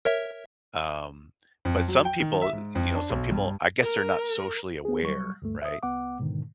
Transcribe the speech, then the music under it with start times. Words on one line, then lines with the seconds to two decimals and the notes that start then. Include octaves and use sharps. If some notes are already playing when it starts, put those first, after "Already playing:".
Um, but some people y you know, some people, I guess they're not socially aware, right?
0.05 A#4 C#5 E5
1.65 F2
1.88 F#3
2.05 G5
2.20 D#3
2.42 E5
2.53 G#2
2.75 F2
2.95 D4
3.10 B1
3.31 G2
3.82 A#4
4.85 B3 G#4
5.03 F#3 G3 C#6
5.42 D2 G2 A3
5.62 E5 D#6
5.83 C2 B3 F#5 D6
6.20 G#2 B2 D3 D#3